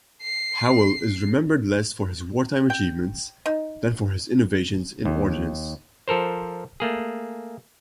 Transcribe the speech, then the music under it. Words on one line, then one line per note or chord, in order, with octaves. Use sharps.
Howell is remembered less for his wartime achievements than for his innovations in ordnance.
C7
G5
D#4
D#2
F3 A4 A#4 C5
A3 A#3 G#4